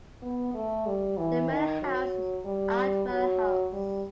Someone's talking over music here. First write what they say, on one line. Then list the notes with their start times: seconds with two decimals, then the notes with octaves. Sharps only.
The manor house is Adwell House.
0.22 B3
0.54 A3
0.86 G3
1.18 E3
1.49 D#3
1.82 F#3
2.45 G3
3.09 F#3
3.73 G3